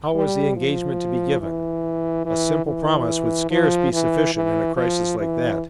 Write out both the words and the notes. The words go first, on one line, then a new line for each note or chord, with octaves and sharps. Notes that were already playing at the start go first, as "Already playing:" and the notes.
How was the engagement to be given? A simple promise would scarce be sufficient in a crisis like that?
G3
F3
E3
E3
E3
F3
E3
E3
F3
E3